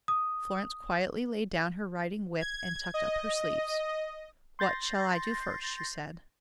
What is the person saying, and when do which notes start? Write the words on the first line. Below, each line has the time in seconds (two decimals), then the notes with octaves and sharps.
Florence quietly laid down her riding whip and tucked up her sleeves. "What shall I do first?" she said.
0.08 D#6
2.41 G#6
2.94 D#5
4.59 C6 G6 A6 A#6 C7